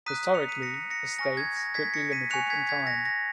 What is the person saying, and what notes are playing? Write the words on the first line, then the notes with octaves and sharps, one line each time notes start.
Historically, estates could be limited in time.
A#5 D#6 F#6 B6 D#7
C#7 F7
B6 D#7
A#6 C#7
A#6 C#7
G#5 C#6 F6 A#6
G#6
A#6
G#6 B6
A#6 C#7
B6 D#7
G#5 C#6 F#6 C#7 F7
G#6 B6
G#6 B6
A#6
A#6